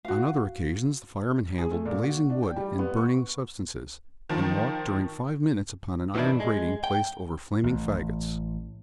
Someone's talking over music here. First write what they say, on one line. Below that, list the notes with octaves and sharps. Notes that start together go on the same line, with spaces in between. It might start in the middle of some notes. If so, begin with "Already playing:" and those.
On other occasions the fireman handled blazing wood and burning substances, and walked during five minutes upon an iron grating placed over flaming fagots.
F#4 F5
G#4
A3
A#2
F#4
D4
G5
G3
B3
C#6
D#3 F3
B2 D#3 E3 D4 E4
G#3
G5
A1